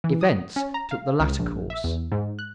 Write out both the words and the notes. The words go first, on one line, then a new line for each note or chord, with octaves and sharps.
Events took the latter course.
E3
D#6
C#4
A#5
F5
C#2
A#1
E5
E2
G#2
F#6